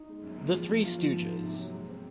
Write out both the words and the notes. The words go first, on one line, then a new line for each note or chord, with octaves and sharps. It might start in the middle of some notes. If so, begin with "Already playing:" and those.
The Three Stooges.
Already playing: D#4
G#3
F#2
G#3
F3
F#2
F4
F3
G#2
G#2
C3
F#3
G#3
C4